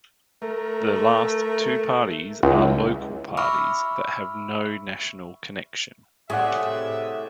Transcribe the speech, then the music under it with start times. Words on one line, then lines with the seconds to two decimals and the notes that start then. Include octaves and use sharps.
The last two parties are local parties that have no national connection.
0.42 A3 A#4
2.43 C#2 G#3 D#4 E4
3.37 E5 B5 C#6 D6 E6 F6
6.30 A2 C3 G#4 D5 E5 F#5